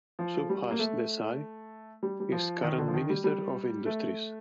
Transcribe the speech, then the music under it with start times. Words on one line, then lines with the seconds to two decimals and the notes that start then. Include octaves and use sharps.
Subhash Desai is current Minister of Industries.
0.19 F3
0.49 G3
0.71 A#3
0.79 A3
2.03 G3
2.20 G3
2.32 F3
2.63 D#3
2.78 D3
2.88 F3
2.94 D#3
3.10 G3
3.24 G3
3.86 A3